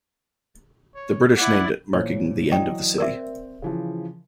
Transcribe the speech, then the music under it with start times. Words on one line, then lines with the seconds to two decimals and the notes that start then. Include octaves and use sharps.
The British named it marking the end of the city.
0.95 C#5
1.37 E4 D5 F#5
1.93 A#2 E3 C5 C#5
2.52 E3 F#3 D5 D#5 G5
2.98 C4 A#4 D5 E5
3.62 C#3 E3 F3